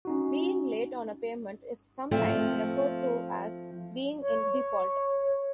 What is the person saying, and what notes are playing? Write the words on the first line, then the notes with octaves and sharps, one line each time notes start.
Being late on a payment is sometimes referred to as being in "default".
C#4 D#4 F#4
F3 A3 C4
C#5